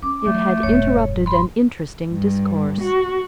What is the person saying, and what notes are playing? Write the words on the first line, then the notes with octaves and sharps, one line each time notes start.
It had interrupted an interesting discourse.
C#4 D6
E3 A3
E1 G2 C#5
B5 C6
G2
F#4